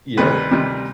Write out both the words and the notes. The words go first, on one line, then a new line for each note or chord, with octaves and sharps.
Yeah, th
D2 C3 D#3 G3 B4
D2 C3 D#3 G3